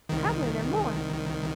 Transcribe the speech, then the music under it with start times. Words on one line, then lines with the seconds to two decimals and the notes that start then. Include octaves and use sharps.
Trebling, or more.
0.09 C2 D#3